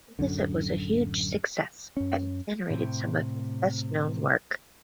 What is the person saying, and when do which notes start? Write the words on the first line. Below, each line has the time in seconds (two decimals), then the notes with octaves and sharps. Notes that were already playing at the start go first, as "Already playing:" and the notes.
The visit was a huge success and generated some of his best known work.
0.19 D1 G#1 F#2 D3
1.97 F#2 C#4
2.70 A2 C3